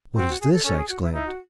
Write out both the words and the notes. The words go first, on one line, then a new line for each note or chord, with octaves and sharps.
"What is this?" I exclaimed.
C4 F#4
F#4
G#4
A4
C#4 A4
G#4
F#4
E4
D#4 E4
F#4